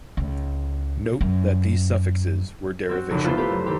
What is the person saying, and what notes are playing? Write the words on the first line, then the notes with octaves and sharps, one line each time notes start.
Note that these suffixes were derivational.
C#2
F#2
C4 F#4
F1 C#2
B3 E4 F4 C5 E5 A6
A3 B3 G4 B4 C5
F#1 E7
D#2 G4 C6